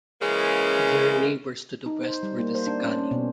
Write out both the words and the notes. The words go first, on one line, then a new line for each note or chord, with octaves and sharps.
Their neighbours to the west were the Sicani.
C#3 E3 G#3 A#3 C#4
D#4
C5
G3
A#3
C5
D4
C#4
C#4
B2